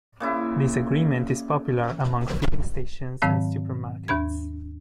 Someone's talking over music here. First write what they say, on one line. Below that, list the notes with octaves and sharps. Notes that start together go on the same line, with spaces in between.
This agreement is popular among filling stations and supermarkets.
A#2 C#3 E4
G#2 D#3 F#3 C4 F5 A5
D#2 D4 B5 G#6